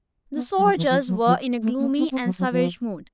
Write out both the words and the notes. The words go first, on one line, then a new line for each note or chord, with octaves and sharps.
The soldiers were in a gloomy and savage mood.
B3
G3
F#3
E3
F3
F#3
F3
A3
A#3
C4
C4
F#3
F#3
F3